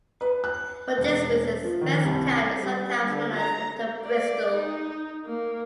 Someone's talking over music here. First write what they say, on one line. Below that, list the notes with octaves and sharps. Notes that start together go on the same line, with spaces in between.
For this reason Speightstown is sometimes known as Little Bristol.
B4
F#6
E1
F3
D#3
C2
G3
D3
A#5
D5
D#4
A#3